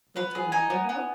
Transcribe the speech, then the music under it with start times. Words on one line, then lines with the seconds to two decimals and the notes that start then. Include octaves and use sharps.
Not remember her?
0.16 B3 B4
0.35 G#4
0.52 D#4 G#5
0.70 B3
0.89 B3